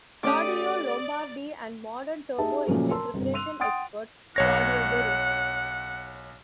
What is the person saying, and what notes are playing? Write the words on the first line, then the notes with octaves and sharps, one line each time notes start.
Claudio Lombardi, and modern Turbo-engine preparation expert, Claudio Berri.
A3 C#4 G4 D5 D6 D#6
D#4 G4 G#4 E5 A5
A#2 C#3 F3 F#3 A3
A#4 A5 C6 E6
G1 C3
C6 E6 F#6 D#7 F7
F#5 G5 C6 D#6 A6 D7
B1 C#5 F#5 A#6